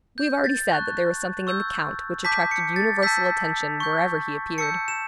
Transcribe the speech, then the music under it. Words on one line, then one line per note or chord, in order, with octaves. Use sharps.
We have already said that there was something in the count which attracted universal attention wherever he appeared.
G6
A6
A5 C#6 F#6
C#6 E6 G6
A5 D6 G6 B6
C#7
A6
A5 E6 G6 B6
C#6 G6
A5 E6 G6 C#7
E7